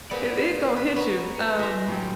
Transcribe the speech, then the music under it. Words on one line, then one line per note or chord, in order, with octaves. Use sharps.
It it's gonna hit you, um,
B3 G#4 A#4 C5 D5
B4
B3 A#5 C#6
A4 A#5 C#7
F4 E5 G#5 A#5 C6
A2 F#3 F#4 G4 G5